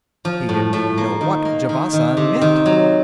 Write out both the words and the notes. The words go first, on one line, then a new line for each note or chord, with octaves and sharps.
He didn't even know what Javasan meant.
F3
A2
A2
A#3
D#3
A#3
D#3
D#3
C3
D#3
F#3